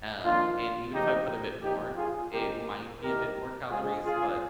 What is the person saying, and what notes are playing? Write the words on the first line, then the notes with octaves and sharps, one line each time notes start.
um, and even if I put a bit more, it might be a bit more calories, but
F2 D#3 A#3 D4 F4
D2 C3 F3 A#3 D#4 G4
A#2 F3 A#3 D#4 G4
F4 G#4
G2 D#3 G#3 C4 G4 A#4
C2 C3 D#3 G4 A#4
A#2 G#3 C4 F4 G#4
F4 G#4